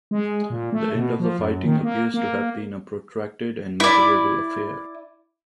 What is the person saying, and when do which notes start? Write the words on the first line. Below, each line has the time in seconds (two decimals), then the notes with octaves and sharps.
The end of the fighting appears to have been a protracted and miserable affair.
0.11 G#3
0.50 A#2
0.72 A3
0.95 B2
1.20 F3
1.39 F#2
1.65 D#3
1.83 A#3
2.14 A#3
3.80 E4 D5